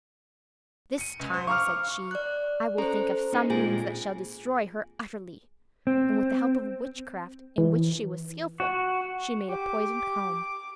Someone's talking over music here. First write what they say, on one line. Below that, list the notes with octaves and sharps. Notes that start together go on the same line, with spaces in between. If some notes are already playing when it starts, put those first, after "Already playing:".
"This time," said she, "I will think of some means that shall destroy her utterly;" and with the help of witchcraft, in which she was skilful, she made a poisoned comb.
C#7 D#7
C#2
C5 C6
F5 A#5 C#6 D6 F6
D5 F#6
C#4 A4 C5 A#5
C#4 D#4 G#4
A#2 G#3 C4 F4 G#4 G#5
C4
E3
F#4
G4 D6